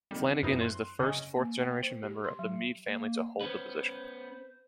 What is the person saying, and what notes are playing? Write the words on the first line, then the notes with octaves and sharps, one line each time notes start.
Flanagin is the first fourth-generation member of the Mead family to hold the position.
F2 C3 D#3 G3
F#2 B3 D#4 E4 B4
C6 F#6
F#1 C#3 C#4 D#5 D#6
A#3
G5
C5
G4
C6
F#3
A#3
B3 C#4 B4 C5